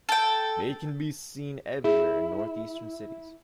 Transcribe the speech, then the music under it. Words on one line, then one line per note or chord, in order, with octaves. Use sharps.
They can be seen everywhere in northeastern cities.
A4 G5
E4 G#4